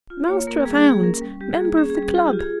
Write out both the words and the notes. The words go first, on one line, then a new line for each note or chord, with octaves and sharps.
Master of hounds! member of the club!
F4
A#3 C#5
A#3 A#4
G3 G#4
G#4
A#3
G#4
C#4 A#4
G3
G3 G4
G#4
A#3
G#4
C#4 G#4
G#4
G3
G#4
F4 G#4
G4
F4
G#4